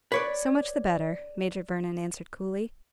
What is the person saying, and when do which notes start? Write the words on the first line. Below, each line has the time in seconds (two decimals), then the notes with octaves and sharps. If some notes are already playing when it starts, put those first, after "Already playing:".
"So much the better," Major Vernon answered, coolly.
0.12 B4 C#5 D5